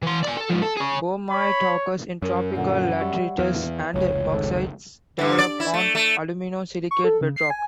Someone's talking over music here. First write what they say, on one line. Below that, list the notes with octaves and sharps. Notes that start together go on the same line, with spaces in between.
Boehmite occurs in tropical laterites and bauxites developed on alumino-silicate bedrock.
E3 C6
D5 G#5
A4
G#2 F3
A4
G#4 C#5
C#5 B5
F#2 A#4
A#2 D3 A#3 F#5
G3 C#5 E5
E2 E3 F5
F1 C#2 C#5
G#1 G#2 A4
G2 D3
D5
E4
A3
A3
C#6
A4
C#3
C7
G#5